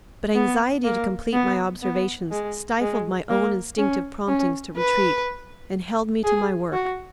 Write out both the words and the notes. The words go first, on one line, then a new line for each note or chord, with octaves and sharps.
But anxiety to complete my observations stifled my own instinctive promptings to retreat, and held me to my work.
B3
A#3
B3
B3
G#3
G#3
A#3
C#4
C#4
B4
G#4
F#4